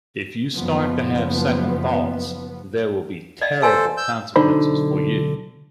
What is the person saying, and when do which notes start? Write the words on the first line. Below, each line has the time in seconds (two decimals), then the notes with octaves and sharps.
If you start to have second thoughts, there will be terrible consequences for you.
0.56 F#1 F3 B3
3.41 D5 D#5 F5
3.62 A4 C5 F5 G#5
3.97 E6 G6
4.36 B1 D3 D#4 C5 B5